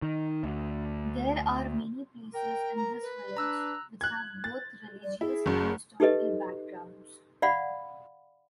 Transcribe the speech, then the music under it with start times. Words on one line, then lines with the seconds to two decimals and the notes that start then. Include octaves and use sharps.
There are many places in this village which have both religious and historical backgrounds.
0.02 D#3
0.44 D2
2.34 A#4 G5
2.76 A#5
3.02 B4
3.37 D4 A#5 E6 F#6
4.01 F#6 G#6
4.44 A6
5.03 D5
5.21 E4 G#4
5.46 F#1 F#2
6.00 D#4 G4 A4 B4 D#5
7.42 D5 F5 F#5 B5